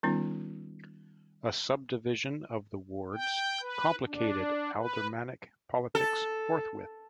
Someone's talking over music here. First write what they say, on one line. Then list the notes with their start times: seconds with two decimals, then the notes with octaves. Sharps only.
A subdivision of the wards complicated aldermanic politics forthwith.
0.03 D#3 G3 B3 C#4 D#4 F4
3.15 G5
3.62 B4
4.06 D4
4.77 B4
5.95 A4